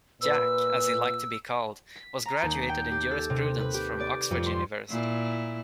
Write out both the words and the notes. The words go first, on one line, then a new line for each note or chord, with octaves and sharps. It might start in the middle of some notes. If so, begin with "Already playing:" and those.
Jack, as he liked to be called, was graduated in jurisprudence from Oxford University.
A#2 B4 E6
B6
A#5
D#2
G5
G4
A4
C3
B4
G4
D5
F2
C6
A#2 E4